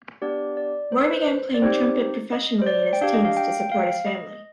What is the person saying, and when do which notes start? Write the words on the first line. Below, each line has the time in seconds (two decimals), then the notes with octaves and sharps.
Roy began playing trumpet professionally in his teens to support his family.
0.22 B3 D4 G4 D5
0.57 D5
0.92 C5
1.02 B4
1.13 C5
1.54 D5
1.62 C4 D#4 G4 C5
2.32 D#5
2.62 C5
2.66 D5
2.93 G5
3.02 D4 G4 F5
3.14 D#5
3.25 F5
3.37 G5
3.60 G5
3.72 F5
4.07 D#5